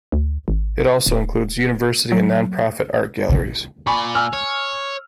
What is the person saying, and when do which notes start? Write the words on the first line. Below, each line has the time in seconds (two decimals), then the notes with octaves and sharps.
It also includes university and non-profit art galleries.
0.12 D2
0.48 G#1
1.06 D1
2.12 F#3
3.87 A#2 D5 G#5 B5 C#6
4.15 G#5 E6 F6
4.33 C#5